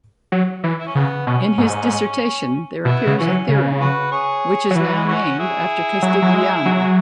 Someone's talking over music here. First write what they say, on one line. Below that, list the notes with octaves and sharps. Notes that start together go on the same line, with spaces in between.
In his dissertation there appears a theorem which is now named after Castigliano.
F#3
E3
E4
C#4
C#3 B3
B2 C#4
G#2
B2 B3 E4
C#3
E3 C#4
F#3
C#3
F#4 B4
G#4 C#5
F#3
E3 F#4 B4
C#4 F#4
E4 G#4
F#3
F#3
G#3
F#3